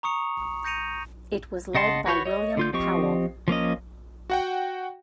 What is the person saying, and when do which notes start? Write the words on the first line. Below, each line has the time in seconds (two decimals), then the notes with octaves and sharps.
It was led by William Powell.
0.03 A#5 C#6 D#6 C#7 F7
0.64 G6 A#6 C#7 D#7 F7
1.75 C#3 D#5 F#5 A5 C6
2.06 F#4 B4 C#5 G6
2.25 C#5 D#5
2.57 D3 F4 G6
2.73 F3 C4 G4 D#5 C#6
3.48 F3 A#3 C#4 D#5
4.30 F#4 F#5 G5